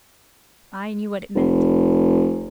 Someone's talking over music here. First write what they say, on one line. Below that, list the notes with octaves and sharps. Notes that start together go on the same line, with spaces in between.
I knew what it meant.
F1